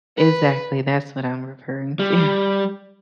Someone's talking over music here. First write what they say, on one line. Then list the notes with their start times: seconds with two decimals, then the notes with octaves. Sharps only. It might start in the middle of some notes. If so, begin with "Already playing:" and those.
exactly, that's what I'm referring to.
0.17 B4
1.99 G3